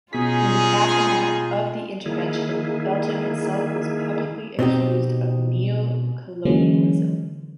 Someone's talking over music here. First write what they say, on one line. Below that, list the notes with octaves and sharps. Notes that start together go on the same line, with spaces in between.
In the aftermath of the intervention, Belgium itself was publicly accused of neocolonialism.
B2 C#4 D#4 F4 G#4 B6
D#3 A#3 E4 G#4
B2 C4 D#4 G4
D3 E3 F#3 G#3 A#3 C#4